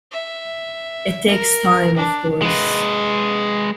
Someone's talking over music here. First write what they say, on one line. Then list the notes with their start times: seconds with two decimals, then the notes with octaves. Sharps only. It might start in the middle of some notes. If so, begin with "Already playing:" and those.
It takes time of course.
0.12 E5
1.27 A#4
1.97 D4
2.42 G#3 B4